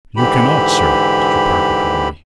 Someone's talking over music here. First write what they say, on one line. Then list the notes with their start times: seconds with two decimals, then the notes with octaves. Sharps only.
"You cannot, sir," Mr. Parker told me.
0.17 G#2 D3 E3 G4 B5